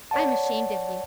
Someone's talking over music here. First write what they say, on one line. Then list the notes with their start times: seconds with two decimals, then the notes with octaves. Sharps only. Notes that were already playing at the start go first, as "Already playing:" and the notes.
I am ashamed of you.
0.11 C#5 D5 F#5 A5